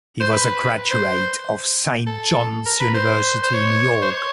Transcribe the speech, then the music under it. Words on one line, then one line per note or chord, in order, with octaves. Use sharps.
He was a graduate of Saint John's University, New York.
C5
B4
C5
A4
A#4
B4
C5
C5
C#5
C5
C#5